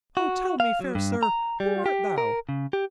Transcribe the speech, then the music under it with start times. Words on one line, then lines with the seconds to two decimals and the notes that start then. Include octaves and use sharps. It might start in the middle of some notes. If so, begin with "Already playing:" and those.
'Oh, tell me, fair sir, who art thou?
0.17 F#4
0.60 F5
0.81 F#3
0.95 G2
1.23 A#5
1.60 G3
1.86 G4
2.18 A#4
2.49 C#3
2.73 G4